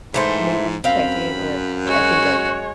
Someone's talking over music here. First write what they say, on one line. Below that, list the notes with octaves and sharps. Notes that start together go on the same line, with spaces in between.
m maybe check in or I think, like,
G#2 E3 A3 C5
F#2 C4 F5 B5
G#3 F#4 C#5